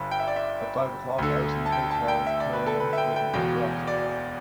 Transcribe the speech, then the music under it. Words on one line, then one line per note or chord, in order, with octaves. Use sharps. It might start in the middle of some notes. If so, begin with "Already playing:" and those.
At five o'clock I was in the Hotel Crillon waiting for Brett.
Already playing: G1 G2 D3
G5
E5
D5
E5
D2 D3
A5
G5
A5
G5
E5
D5
B4
A4
B4
E5
G5
G5
E1 E2 B2 G5
D5